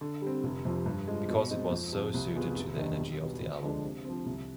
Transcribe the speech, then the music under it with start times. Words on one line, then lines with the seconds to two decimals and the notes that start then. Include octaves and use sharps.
Because it was so suited to the energy of the album.
0.01 D3
0.22 G3 C4
0.44 F1
0.65 F2 C3 F3
0.86 G2
1.07 F3 G#3
1.28 B2
1.50 G#3 C4 D#4
1.71 F2
1.92 C3 F3
2.14 C2
2.35 B2 B3 F4 G#4
2.56 F1
2.77 D#2 D#3 G3 D4
2.98 B1
3.20 B2 G3 B3
3.41 D2
3.62 D3 F3 G#3 D4
3.84 C3
4.05 F3 C4
4.26 C2